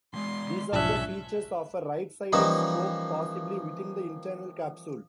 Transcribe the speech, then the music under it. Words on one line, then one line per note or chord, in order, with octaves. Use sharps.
These are the features of a right sided stroke possibly within the internal capsule.
E3 G#3 C6
B1 G#2 F3 C#4 D4 E5 A5 F#6
E3 F3 G3 A#3 C#4 D#4